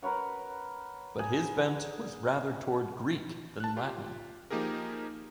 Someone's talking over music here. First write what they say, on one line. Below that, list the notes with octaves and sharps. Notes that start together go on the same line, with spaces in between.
But his bent was rather toward Greek than Latin.
A#4 B4 C#5 F#5
G#4
A5 F#6
F4 G4
F3 A#3 D#4 G4 G#4 A#4